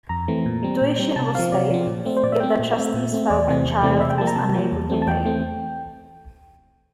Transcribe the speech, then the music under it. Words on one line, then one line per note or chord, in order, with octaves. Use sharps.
Tuition was waived if the trustees felt a child was unable to pay.
F2 A#5
E3 A3 C4
A#2
G3 C4
A#2
G3 C4
C3 A5
F3 C4 F5
C3 D5
F3 C4
A#2
A3 C4
C5
A#2 D5
E5
A3 C4 G5
E5
A#2
A3 C4
A#2
A3 C4
E2 D5
C3 E3 A3 C4
E2
C3 E3 A3 C4
C3 E5
G5
F3 A#3 A5
A#5
C3 A5
F3 A#3
E2
E3 A3 C4
A5
E2 G5
E3 A3 C4